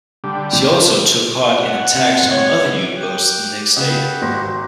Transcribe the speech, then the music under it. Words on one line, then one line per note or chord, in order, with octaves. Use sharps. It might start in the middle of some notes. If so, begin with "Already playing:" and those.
She also took part in attacks on other U-boats the next day.
D3 G3
F#5
C3
C#5
G4 D6 F#6
C#3 G4 D#5 F#5 B5
G#1 F#4 A#6